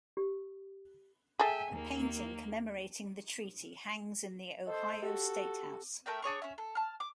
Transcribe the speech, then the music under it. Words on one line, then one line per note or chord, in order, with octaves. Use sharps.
A painting commemorating the treaty hangs in the Ohio Statehouse.
G4
G#4 A4 E5 G5 G#5
D#2 A#3
A4 C5 D#5
F#4 G4 A4
A3 A#4 E5 G5
D4 G#4 C#5 C#6
C#4 E5
A4
A5 F6
D6